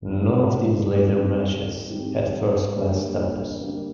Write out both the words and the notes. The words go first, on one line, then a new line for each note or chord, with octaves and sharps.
None of these later matches had first-class status.
C3 G3 A#3
G#2 G3 C4 G4
G#2 G3 C4 G4
D3 G3 A#3
D3 G3 A#3